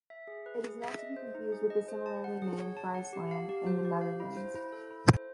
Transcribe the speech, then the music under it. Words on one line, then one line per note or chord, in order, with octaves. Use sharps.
It is not to be confused with the similarly named Friesland in the Netherlands.
E5
G#4
B4
G#4
E5
D#5
C5
D#4
G#4
D#5
C5
A5
F#5
G#4
C#5
A5
F#5
G4
F5
G4
C5
G4
F5
E4
C5
E4
A4
E4
C5